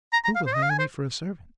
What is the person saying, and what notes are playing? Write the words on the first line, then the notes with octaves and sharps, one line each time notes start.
Who will hire me for a servant?'
A#5
A#5
F5
C5
D#5
F5
G#5
C5